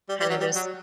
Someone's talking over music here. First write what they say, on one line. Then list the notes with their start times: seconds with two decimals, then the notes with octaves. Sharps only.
kinda just
0.09 G3
0.20 G3
0.29 F#3
0.40 G3
0.55 F#3